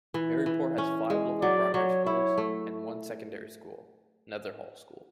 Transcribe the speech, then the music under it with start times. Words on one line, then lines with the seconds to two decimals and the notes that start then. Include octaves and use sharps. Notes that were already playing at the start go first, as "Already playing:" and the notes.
Maryport has five local primary schools, and one secondary school, Netherhall School.
0.14 E3
0.46 E3
0.78 C#4
1.10 G#3
1.42 F#3 D5
1.74 F#3 C#5
2.06 E4 C#5
2.38 A3